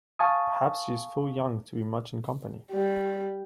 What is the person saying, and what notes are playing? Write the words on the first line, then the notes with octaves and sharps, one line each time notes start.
Perhaps she is full young to be much in company.
F5 G#5 A5 C#6 D#6
G3